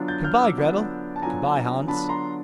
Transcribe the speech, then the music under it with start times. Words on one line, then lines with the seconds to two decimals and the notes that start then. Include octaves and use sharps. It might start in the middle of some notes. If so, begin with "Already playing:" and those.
'Goodbye, Gretel.' 'Goodbye, Hans.'
Already playing: D3 F#3 B3 D4 F4
0.08 G6 A6
0.24 F6 G6
0.41 D6 E6
0.57 D3 F#3 B3 D4 F4
1.16 A5
1.22 D3 F#3 B3 D4 F4 G#5 A#5
1.87 D3 F#3 B3 D4 F4 A5 B5
2.09 A#5 C6